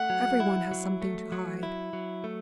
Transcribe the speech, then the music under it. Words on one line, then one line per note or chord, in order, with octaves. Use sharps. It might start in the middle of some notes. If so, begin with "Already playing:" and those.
Everyone has something to hide.
Already playing: A3 F#5
F#3
E4
F#3
A3
F#3
E4
F#3
A3